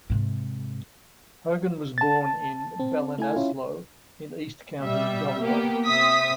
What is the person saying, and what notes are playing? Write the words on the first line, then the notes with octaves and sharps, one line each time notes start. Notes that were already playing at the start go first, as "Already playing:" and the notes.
Hogan was born in Ballinasloe in east County Galway.
G#2 C3
A5 A6
C4
A3 E4 G#5
C#4 E4 F4
B2 G3 E5
A#3 B3 G4
C3 C4 E5 D#6 B6